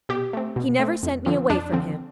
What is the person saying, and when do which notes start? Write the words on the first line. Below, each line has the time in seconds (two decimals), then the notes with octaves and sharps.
He never sent me away from him.
0.09 B2 G4
0.33 A3 C4
0.56 B2
0.79 A3 C4
1.03 F2
1.26 D3 F3 C4
1.50 F2 D4
1.72 D3 F3 C4